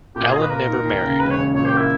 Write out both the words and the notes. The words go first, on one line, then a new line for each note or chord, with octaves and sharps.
Allen never married.
A#2 G4
G#4
A#2 D#5
B4
A#3 A#4
D#4
D#2
C#3
E1 B4
C#5
C#3
A#2 C#5
G4
A#3
E4